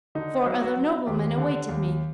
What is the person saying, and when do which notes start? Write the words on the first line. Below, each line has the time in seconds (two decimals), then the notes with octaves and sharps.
Four other noblemen awaited me.
0.15 D3 D#4
0.46 F#3
0.61 F#4
0.77 F#3
1.07 D#2 G4
1.37 D3
1.69 D#2